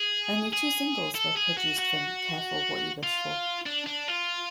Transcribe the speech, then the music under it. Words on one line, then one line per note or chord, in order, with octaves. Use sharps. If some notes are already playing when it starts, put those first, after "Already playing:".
Only two singles were produced from "Careful What You Wish For".
Already playing: G#4
G#4
A4
G#4
F#4
F#4
F4
D4
D4
F4